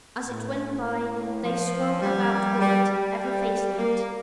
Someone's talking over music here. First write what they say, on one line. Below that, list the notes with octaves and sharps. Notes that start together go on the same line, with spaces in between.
As it went by they swung about with it; ever facing it.
A2
F3
G3
G3
G3
A#3